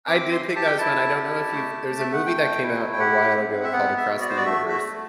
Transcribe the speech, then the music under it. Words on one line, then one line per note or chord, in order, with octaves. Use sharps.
I did think that was fun. I don't know if you've there's a movie that came out a while ago called Across the Universe.
C4 D6
C6
G4
A5
G5
E4 A5
G4
A3
A3
E5
F#5
A3 G5
E4
G5
G4 F#5
C4
E5
B3 F#5
E5
F#4
D5
C5
D5
A3 E5
E5
A3